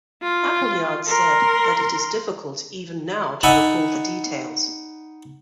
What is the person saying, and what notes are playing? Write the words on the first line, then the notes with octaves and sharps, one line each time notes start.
Appleyard said that It is difficult even now to recall the details.
F4
A#4 C6
D#4 D5 E5 F#5 G#5 B5